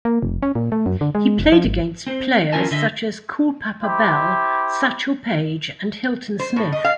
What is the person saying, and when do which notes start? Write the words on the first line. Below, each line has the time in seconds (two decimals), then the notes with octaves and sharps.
He played against players such as Cool Papa Bell, Satchel Paige, and Hilton Smith.
0.05 A#3
0.22 F1
0.43 C#4
0.55 A#2
0.72 A3
0.86 F#2
1.01 D3
1.15 G#3
1.39 F1
1.52 F3
1.65 G#1
2.07 C4 C5
2.53 E3 C#4 F4 A#4 G#5 A5
2.71 D3 D#5 E5
3.83 E4 G4 C5
6.40 C5
6.56 A2
6.72 D#5
6.84 F5